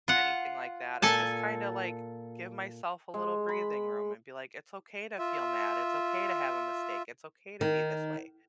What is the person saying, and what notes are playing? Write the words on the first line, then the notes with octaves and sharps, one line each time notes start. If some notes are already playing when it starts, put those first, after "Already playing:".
anything like that, and just kinda, like, give myself a little breathing room and be like, "It's okay to feel mad. It's okay to have a mistake. It's okay to be this way."
F4 F#5
A#2 A4 G#5 A5
G#3
B5
F4 E5
D#3